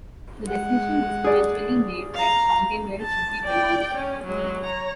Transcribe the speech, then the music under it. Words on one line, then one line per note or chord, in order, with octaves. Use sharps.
The decision was eventually made that Fountainwell should be demolished.
G#3 F#5
G#4 D5
F5 A#5
A5
D5 G5
C#4
F#3 G#3
C#5 A#5